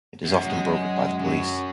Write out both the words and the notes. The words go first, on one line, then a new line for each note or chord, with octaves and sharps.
It is often brokered by the police.
F#2
G#3 D#5
F#3 C#4